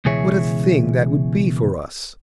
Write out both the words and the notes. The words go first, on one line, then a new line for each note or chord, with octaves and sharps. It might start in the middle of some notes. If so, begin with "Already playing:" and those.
'What a thing that would be for us!'
C#2 B2 E3 G#4 C#5 E5